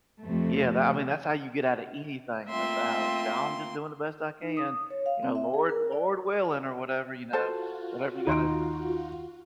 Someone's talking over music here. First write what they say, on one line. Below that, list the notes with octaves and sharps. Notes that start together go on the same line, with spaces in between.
Yeah, that I mean, that's how you get out of anything in the South. Say, "I'm just doing the best I can, you know, Lord Lord willing," or whatever, you know, whatever you gotta
F2 C3 A3
A3 A#3 C4 F4 E5 C6
D#4
D#6
C#5
F5
C4
E5
G#4
A#4
D5
F4 F#4 A4 C5 A5
D#2 D#4 C6 D7